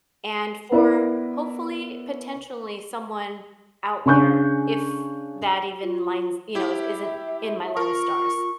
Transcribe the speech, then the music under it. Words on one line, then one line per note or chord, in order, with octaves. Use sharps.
and for, hopefully, potentially, someone out there if that even lines you know, i isn't in my line of stars.
B3 E4 A#4 B4 D5
C#3 D4 G#5 C#6 F#6 G6
F4
E4 G4 E5
F4 A#4 C#6